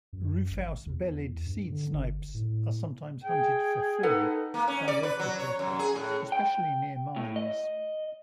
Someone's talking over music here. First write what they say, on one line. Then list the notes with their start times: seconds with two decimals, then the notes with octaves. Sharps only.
Rufous-bellied seedsnipes are sometimes hunted for food by local people, especially near mines.
0.13 F#2
0.51 G#1
0.86 E2
1.46 G2
1.72 D3
1.93 G1
2.34 A2
3.24 G#4 G5
4.03 D#4 A4 B4 F#5
4.54 A#3
4.68 C#4
4.88 D5
5.03 B4
5.20 F#3
5.39 C#5
5.59 F#2
5.79 G#4
5.95 A2
6.32 G5
7.16 A2
7.36 D#5